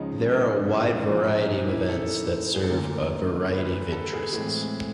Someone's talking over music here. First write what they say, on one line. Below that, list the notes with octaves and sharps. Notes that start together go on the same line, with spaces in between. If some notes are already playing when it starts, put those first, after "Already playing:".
There are a wide variety of events that serve a variety of interests.
Already playing: C#2 C#3 F3 D#4
E4
F4
E4
A#2 F3 A#3 C#4 D#4
D#4
E4
A4
G#4
A4
D2 D3 F#3 A#3 A#4
B4
A4
G#4
A2 E3 G#3 C4 G#4